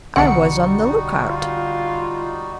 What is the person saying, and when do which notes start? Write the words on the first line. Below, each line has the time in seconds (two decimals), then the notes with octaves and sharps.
I was on the look-out.
0.16 B1 D3 G3 B3 D#4 F#4 F#5 C#7
1.28 F4